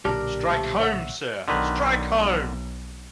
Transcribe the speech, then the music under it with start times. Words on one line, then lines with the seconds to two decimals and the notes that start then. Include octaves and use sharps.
Strike home, sir, strike home!
0.05 B1 A#2 D3 D4 G4 A#4 F6
0.47 F3 A3
0.79 C#5 E5 F#5
1.48 B1 D3 D#3 B4